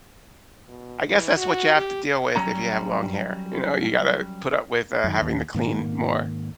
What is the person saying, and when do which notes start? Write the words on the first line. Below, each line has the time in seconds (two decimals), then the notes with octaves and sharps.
I guess that's what you have to deal with if you have long hair, you know, you gotta put up with, uh, having to clean more.
0.68 B2
1.07 E3
1.37 F#4
1.76 G4
2.36 F#3 G3 C#4 A#5
5.04 F#2 D#3
5.22 D#2
5.54 G#2 D#3 A#3